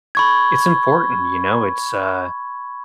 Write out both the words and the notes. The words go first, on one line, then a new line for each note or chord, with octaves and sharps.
it's important, you know, it's, uh
B5 C#6 G#6